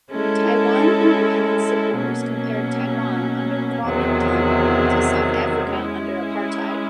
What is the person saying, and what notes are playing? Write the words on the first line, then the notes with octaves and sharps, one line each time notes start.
Taiwan Independence supporters compared Taiwan under Kuomintang rule to South Africa under apartheid.
G#3 C#4 E4 A4
B2 F#3 A#3 C#4
E2 C3 D#3 F#3
G#3 C#4 E4